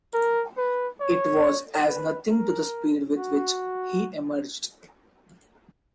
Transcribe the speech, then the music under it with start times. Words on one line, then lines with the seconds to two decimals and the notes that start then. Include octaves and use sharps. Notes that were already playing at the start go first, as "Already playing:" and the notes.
It was as nothing to the speed with which he emerged.
0.14 A#4
0.58 B4
1.00 C#5
1.88 B4
2.31 A#4
3.17 F#4